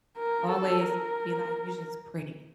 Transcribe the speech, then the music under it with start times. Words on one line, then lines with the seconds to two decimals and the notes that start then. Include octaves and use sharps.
always be like, "You're just pretty,
0.17 A#4
0.50 A4
0.82 A#4